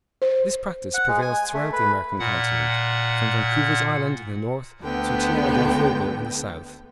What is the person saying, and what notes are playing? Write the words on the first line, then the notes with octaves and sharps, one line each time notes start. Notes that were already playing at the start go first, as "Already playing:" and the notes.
This practice prevails throughout the American continent from Vancouver's Island in the north to Tierra del Fuego in the south.
C5
F#5
G#3
G#5
A3
B4
A#2 F#5
D2 D3 B3 G5